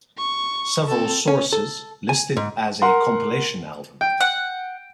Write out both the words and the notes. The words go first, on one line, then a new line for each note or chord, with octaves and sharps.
Several sources list it as a compilation album.
C#6
C4 A4
C#4
A4
G#5
G#2
A#4 F#5 C6
G5
F#5